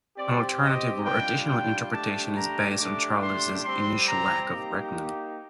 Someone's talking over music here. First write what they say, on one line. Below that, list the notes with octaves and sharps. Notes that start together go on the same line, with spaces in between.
An alternative or additional interpretation is based on Charles' initial lack of a "regnum".
C4 G4 D5
D#5
G3 D4 F4 G5
G5
A3 D4 G4 A5
A#5
A3 D4 G4 D6
C6
G3 C4 G4 C6
A#5
A#3 D#4 G4